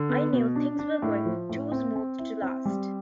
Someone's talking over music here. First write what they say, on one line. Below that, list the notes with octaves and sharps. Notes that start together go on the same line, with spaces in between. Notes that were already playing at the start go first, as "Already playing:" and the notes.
I knew things were going too smooth to last.
Already playing: D3
B3
B2
D4
D4
A2
F3
A2
C4
C4
E4
C4
G3